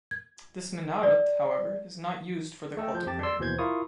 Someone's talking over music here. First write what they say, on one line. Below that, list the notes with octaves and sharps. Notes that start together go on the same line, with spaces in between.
This minaret, however, is not used for the call to prayer.
G#6
D5
A3 A4 D#5 G5
F3 G6
F2 G4 A5 A6
D5 C6 E6
D#2 B2 E3 C5 G6 G#6
E4 F4 A#4 C#6 D#6